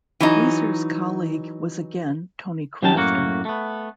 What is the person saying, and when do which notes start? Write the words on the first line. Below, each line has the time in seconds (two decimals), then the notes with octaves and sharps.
Weser's colleague was again Tony Crafter.
0.20 E3 F#3 D#4
2.83 F#3 C#4 G4 A5
2.95 F#2 A2 A#3 F#4
3.45 A3 B3